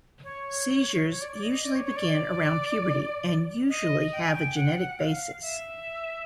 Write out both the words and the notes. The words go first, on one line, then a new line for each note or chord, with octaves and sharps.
Seizures usually begin around puberty and usually have a genetic basis.
C#5
C#5
D5
D5
D#5
D#5
D5
C#5
C#5
D5
D#5
G5
G#5
G5
F#5
F5
E5